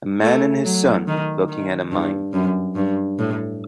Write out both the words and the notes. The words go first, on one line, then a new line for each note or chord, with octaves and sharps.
A man and his son looking at a mime.
A3
F#3
D#3
D#3
G2
F#2
G2
A2